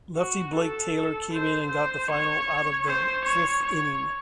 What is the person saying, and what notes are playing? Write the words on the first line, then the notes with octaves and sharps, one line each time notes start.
Lefty Blake Taylor came in and got the final out of the fifth inning.
F#4
A4
C5
C5
C#5
C5
C#5
C#5